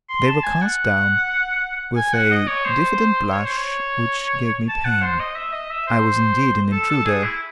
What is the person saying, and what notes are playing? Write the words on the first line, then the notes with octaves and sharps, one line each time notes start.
They were cast down with a diffident blush which gave me pain; I was indeed an intruder.
C6
A5
G#5
F#5
G#5
F#5
D#5
C#5
C5
C#5
C5
C#5
A5
F#5
C5
D#5
E5
D#5
E5
C5
A4
A4
G#4
E4